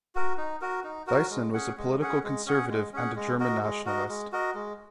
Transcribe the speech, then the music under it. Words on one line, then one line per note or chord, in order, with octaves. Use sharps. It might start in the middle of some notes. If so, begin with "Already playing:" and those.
Thyssen was a political conservative and a German nationalist.
F#4 A#4
D#4
F#4 A#4
D#4
F#4 A#4
G#3
C#4 G#4 F#5
G#3
C#4 G#4 F#5
G#3
C#4 G#4 F#5
G#3
C#4 G#4 F#5
G#3
F#4 A#4 D#5
G#3
F#4 A#4 D#5
G#3
F#4 A#4 D#5
G#3